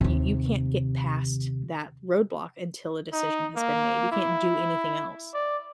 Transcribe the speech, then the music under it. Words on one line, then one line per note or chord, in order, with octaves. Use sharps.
you you can't get past that roadblock until a decision has been made. You can't do anything else.
D#2 C3
D#4
A#3
E4
D5